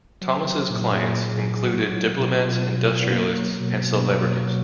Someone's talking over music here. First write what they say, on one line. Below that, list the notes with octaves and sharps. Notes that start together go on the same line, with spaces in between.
Thomas' clients included diplomats, industrialists, and celebrities.
F#3
F#3
A#2
A#2 G#4
F#3
F#3
G#4
F#3 F#4
F#3
B2
B2 F4
F#3
F#3
B3
F#3 A#3
F#3
B2
B2
F#3
F#3